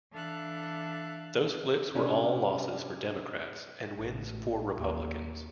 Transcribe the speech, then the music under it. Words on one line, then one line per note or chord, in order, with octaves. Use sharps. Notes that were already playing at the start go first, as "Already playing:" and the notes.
Those flips were all losses for Democrats and wins for Republicans.
E3 D4 A4 E5 F5 F#6
C3 C#4 D4
A1
D#2